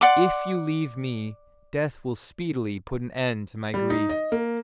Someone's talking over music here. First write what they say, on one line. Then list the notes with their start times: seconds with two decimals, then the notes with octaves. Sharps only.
If you leave me, death will speedily put an end to my grief.'
0.01 D5 F#5 C6 D6
3.74 G3
3.90 D#4
4.09 D#5
4.32 A#3